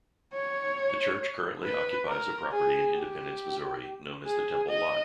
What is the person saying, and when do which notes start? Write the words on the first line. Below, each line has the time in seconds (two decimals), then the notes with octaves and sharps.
The church currently occupies a property in Independence, Missouri, known as the Temple Lot.
0.34 C#5
1.64 B4
2.08 A#4
2.52 G#4
2.96 G4
4.26 G#4
4.70 D#5